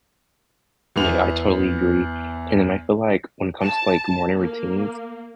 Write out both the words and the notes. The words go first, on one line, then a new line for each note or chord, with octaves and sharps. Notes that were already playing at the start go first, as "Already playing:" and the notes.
Yeah, I totally agree. And then I feel like when it comes to, like, morning routines,
E2 B3 F7
A5
A#3